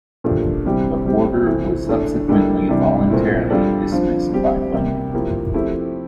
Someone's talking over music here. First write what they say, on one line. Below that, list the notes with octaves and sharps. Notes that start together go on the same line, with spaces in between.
The order was subsequently voluntarily dismissed by Bundy.
A#2 F3 A3 D4 G4
C3 E3 G3 C4 G4
G3 C4 G4
C3 E3 A3 C4
E3 A3 D4
D3 G3 A#3 E4 A4
C3 E3 G3 D4
A#2 A3 C4 E4
G3 D4 F4 A4 D5
D3 F3 C4 F4
G3 C4 G4
C3 G3 A#3
F3 A#3 E4 G4
F3 A3 C4 E4 G4